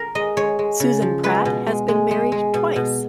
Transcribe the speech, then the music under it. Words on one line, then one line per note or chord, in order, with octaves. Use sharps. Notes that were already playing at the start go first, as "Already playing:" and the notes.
Susan Pratt has been married twice.
Already playing: A#4
G#3 D#5
G#3 C#5
G#3
C#3
F3
G#3 B4
B2
G#3
G#3
G#3
G#3
B2
B2